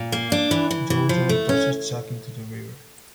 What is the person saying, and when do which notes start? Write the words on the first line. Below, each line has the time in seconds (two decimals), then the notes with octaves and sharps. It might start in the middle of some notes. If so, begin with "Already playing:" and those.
Joe John tosses Chuck into the river.
Already playing: A#2
0.12 A#3
0.32 D4
0.51 E3
0.71 E3
0.90 E3
1.09 F3
1.29 A3
1.49 C#4